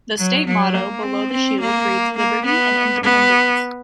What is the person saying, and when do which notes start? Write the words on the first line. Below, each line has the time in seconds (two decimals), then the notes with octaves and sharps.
The state motto, below the shield, reads "Liberty and Independence".
0.18 F#3
0.46 F#3
0.74 A#3
1.03 C4
1.32 C4
1.60 A#3
2.17 A#3
2.45 B3
3.03 B3